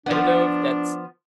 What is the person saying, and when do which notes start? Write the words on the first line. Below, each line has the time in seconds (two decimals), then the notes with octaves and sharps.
I don't know if that's
0.06 F3 B3 D4